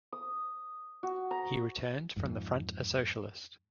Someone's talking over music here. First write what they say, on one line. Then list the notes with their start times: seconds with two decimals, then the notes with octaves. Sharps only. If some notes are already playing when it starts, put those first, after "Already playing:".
He returned from the front a socialist.
0.12 D#6
1.03 F#4
1.31 A#5
2.17 F2 G#2